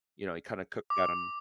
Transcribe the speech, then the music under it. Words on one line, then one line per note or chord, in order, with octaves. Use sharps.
you know, you kinda cook that on
D6